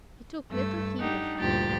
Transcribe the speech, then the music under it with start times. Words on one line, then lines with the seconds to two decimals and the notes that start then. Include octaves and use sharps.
He took little heed of her.
0.50 G2 A3 E6
0.99 D4 D#4 G4 F#5
1.38 D2 G2 A#2 F3 G4 A6